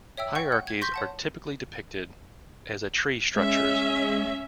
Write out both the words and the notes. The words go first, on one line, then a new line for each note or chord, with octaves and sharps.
Hierarchies are typically depicted as a tree structures.
C#5 E5 G5 E6
F#5 G5 C#6
F#5
G#6
C6 C#6 G6 A#6 B6
C#5 F#5 A5
G#3 C#4 E5